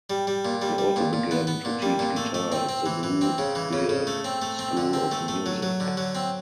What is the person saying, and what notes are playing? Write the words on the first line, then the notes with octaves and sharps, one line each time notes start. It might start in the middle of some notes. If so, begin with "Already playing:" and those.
He also began to teach guitar at the Blue Bear School of Music.
G3
G3
A#2
G3
G3
A#2
A#2
B3
B3
A#2
G3
A#2
A3
A3
C4
C4
E3
E3
C4
C#3
E3
C#3
C#3
A3
C4
A3
C4
D3
C4
A3
A3
F#3
F#3
D3
F#3
C4